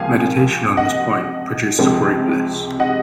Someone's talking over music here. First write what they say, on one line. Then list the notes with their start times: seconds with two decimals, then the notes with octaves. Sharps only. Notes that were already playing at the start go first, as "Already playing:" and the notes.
Meditation on this point produces great bliss.
Already playing: C#2 C3 F3 A#3 F5 G#5
0.77 D#5 F#5
1.79 C#2 C3 F3 G#3
2.80 D#5 F#5